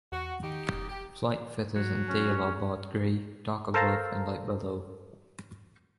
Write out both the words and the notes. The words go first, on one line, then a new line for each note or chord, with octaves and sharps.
Flight feathers and tail are barred grey, dark above and light below.
E2 F#4
D#3 D#4 G4
F1
G4
F#3
C#4
A4 A#4 C5 F5 A5 A#5